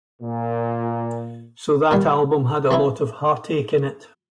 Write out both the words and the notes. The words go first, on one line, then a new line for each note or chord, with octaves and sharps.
So that album had a lot of heartache in it.
A#2
A#2 D#3 G3
E3 C4 D#4 E4